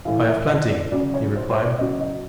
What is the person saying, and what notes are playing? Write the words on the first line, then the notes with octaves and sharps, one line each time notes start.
"I have plenty," he replied.
A2 E3 F5
E5
D#5
D5
C#3 F#3 D5
C#5
C5
C5
D5
C#3 F#3 D#5
D#5